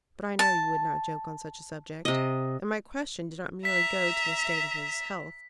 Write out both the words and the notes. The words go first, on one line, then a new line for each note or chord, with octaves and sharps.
But I know you would not joke on such a subject. And my question did not merely go to the state of his health.
A5
C3 D#5
E5 A#5 B6